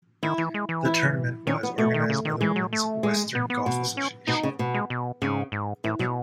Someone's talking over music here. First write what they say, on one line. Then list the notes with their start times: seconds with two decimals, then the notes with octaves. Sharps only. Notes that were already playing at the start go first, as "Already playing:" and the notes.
The tournament was organized by the Women's Western Golf Association.
0.23 D#3 E4
0.38 E3
0.54 G#3
0.69 E3
0.85 E4
1.47 D#3 C#4
1.63 B3
1.78 B2 A3
1.94 D#3
2.10 C#3
2.25 D#3
2.41 E3 G#3
2.56 F#3
2.73 A3
3.03 G#3
3.35 B3
3.50 B3
3.66 B2
3.97 C#4
4.27 B2 D#4
4.43 C#3
4.59 B2
4.74 G#3
4.90 B2
5.22 G#2 C#3
5.52 G#2
5.84 A2 E3
5.99 B2 F#3